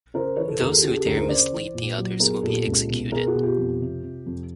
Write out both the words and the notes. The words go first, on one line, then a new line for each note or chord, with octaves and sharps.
Those who dare mislead the others will be executed!
C#3 A#4 C5
E3 B4 C#5
A4 B4
D#2 G#4 A#4
G4 A4
C#3 F#4 G#4
G4 A4
D2 G#4 A#4
A#4 C5
C#3 C5 D5
E3
A#2
F#3
B3 G#4 A#4
A#2 G4 A4
C#2
B2
B2 G#4 A#4
F#4 G#4
B2
F4 G4
F2
C3
C3
F2